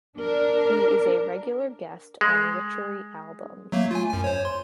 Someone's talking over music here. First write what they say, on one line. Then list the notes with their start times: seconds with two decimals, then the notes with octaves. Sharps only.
He is a regular guest on Witchery albums.
0.17 D4 A#4
2.21 G#3
3.72 F#3 A3 A#3
3.91 F4 G#5
4.10 F#2 G#5
4.24 C5 C#5
4.45 C6